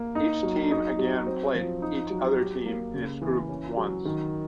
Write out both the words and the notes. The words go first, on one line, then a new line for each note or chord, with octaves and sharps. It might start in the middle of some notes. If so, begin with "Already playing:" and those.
Each team again played each other team in its group once.
Already playing: A#3
D#4
F#3
D#4
F#3
C4
F3
D#4
F#3
G4
A#3
C#3
E3
C#4
F#3
D#3